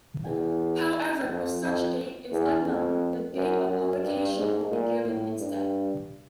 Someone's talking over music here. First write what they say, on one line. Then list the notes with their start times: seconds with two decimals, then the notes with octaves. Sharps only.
However, if such date is unknown, the date of publication will be given instead.
0.27 E2
1.29 F2
1.63 F2
2.32 E2
2.65 F2
3.34 F#2
3.68 F#2
4.02 G2
4.37 G#2
4.71 A#2
5.05 A2
5.40 G2